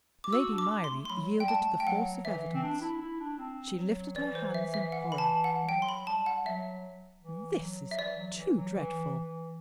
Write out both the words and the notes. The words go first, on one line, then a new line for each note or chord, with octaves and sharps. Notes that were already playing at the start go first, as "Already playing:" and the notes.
Lady Myrie yielded to the force of evidence; she lifted her hands in horror: "This is too dreadful!"
D6
F#4 E6
D4
D6
C6
A3
C6
F#3 B5
G3
G5
A5
A3
G5
F#3 F#5
E3 E5
C4
D4
E4
E4
D4
C4
F#3
E3 D5
C5
E5
E5
F#5
B5
A5
F#5
G3
F#3 G5
C6
B5
G3 A5
F#5
F#3 E5
E3
F#3
E5
E3 D5
F#3
F#3
E3
F#3
E3
E3